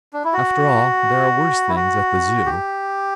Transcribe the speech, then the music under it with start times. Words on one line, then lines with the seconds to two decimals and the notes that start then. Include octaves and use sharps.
After all, there are worse things at the Zoo.'
0.13 D4
0.24 E4
0.33 F#4
1.69 E4
1.76 F#4
2.46 G4